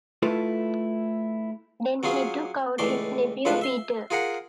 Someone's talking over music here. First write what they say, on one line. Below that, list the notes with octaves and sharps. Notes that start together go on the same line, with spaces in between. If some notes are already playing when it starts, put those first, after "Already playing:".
Then he took out his nephew Peter.
A3 E4 F4 A4 B4
F#3 C#4 F4 G#4
C#2 A2 E3 A3 D5 C6
C#2 A2 F3 F4 B4 A5
E5 C6
F4 G#4 A#4 F#5 A#5